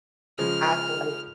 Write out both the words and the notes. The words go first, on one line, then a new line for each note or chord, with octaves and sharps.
act like
C#3 F3 G#3 F6